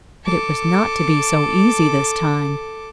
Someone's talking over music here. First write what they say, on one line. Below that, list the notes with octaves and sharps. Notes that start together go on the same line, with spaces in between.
But it was not to be so easy this time.
A4 D6